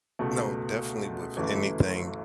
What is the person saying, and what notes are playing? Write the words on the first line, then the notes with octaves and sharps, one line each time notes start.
No, definitely with anything,
C#2 B2 A3
G1 F#2 E3 A3